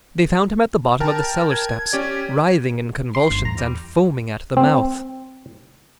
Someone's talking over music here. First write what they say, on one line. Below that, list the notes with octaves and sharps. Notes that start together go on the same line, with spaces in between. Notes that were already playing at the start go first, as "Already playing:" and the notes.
They found him at the bottom of the cellar steps, writhing in convulsions and foaming at the mouth.
A#4 G5 A5
G#6
C#4 G4 D5 G#6
C6
G1 G2
E2 A#5
G3
C4